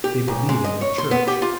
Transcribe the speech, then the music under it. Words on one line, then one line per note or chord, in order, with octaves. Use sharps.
They believe in their church.
G4
B1
G#3
D#5
C#5
C6
B3
G4
F4